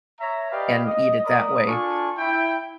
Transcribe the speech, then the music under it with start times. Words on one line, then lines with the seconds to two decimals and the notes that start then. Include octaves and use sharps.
and eat it that way.
0.20 C#5 E5 A#5
0.51 G4 B4 D5 D#5 F5
0.85 D#5
1.25 A#4 D5 B5 D#6
1.67 D4 F4 A4 G#5 C#6
2.18 E4 G5